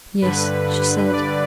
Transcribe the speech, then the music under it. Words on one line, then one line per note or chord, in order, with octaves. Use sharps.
"Yes," she said.
G2 D3 B4
D5